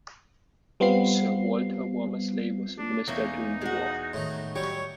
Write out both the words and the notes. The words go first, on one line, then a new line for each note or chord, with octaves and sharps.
Sir Walter Womersley was the Minister during the war.
G3 B3 C4 F4 C7
D4
E2 A#3 C#4 D#4 E5
G#3 F#4
A2 D#3
F#3 G3 G4 C#5